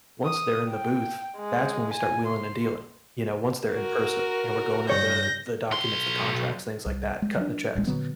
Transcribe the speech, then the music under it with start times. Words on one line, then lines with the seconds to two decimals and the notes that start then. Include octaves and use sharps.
once they're in the booth, that's when we start wheeling and dealing, you know? Once they're in person, and we're going over the the documents, the contracts, things like that cutting the checks.
0.23 D#6
0.69 G5
1.37 G#3
1.93 G#5
2.27 C6
3.74 F#4 A#4
4.90 G2 C3 C#5 G6 A#6
5.71 B1 C6
6.86 C2
7.22 G#3
7.37 F#3 D4
7.75 D1 A1 F3 G#3
7.87 A#2 D3 F#3 B3